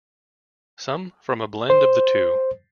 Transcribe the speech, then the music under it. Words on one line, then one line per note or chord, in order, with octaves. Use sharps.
Some from a blend of the two.
C5